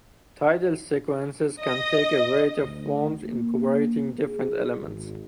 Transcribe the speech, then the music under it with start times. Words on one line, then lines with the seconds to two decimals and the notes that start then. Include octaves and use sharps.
Title sequences can take a variety of forms, incorporating different elements.
1.61 D#5
2.61 D2
3.24 A#3
4.21 G#4
4.80 G#1